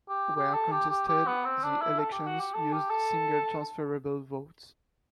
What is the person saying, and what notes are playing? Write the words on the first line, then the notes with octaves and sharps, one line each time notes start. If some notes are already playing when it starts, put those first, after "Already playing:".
Where contested, the elections used single transferable vote.
G4
G4
A4
G4
G4
G4
B3
C4
D4
E4
A4
G4
F#4
G4
A4
G4
A4